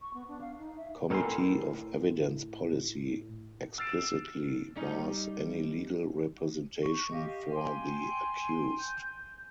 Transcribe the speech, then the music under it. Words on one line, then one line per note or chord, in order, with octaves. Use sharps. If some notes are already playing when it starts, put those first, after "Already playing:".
Committee of Evidence policy explicitly bars any legal representation for the accused.
C#6
B3
D4
F5
D#4
E5
A2 A4 A#4 G5 G#5 C6
E6 F6 A6 C7 D7 E7
G3 C#4 D#4
C#6
G4 D#5 F5
G5 G#5 C6
G6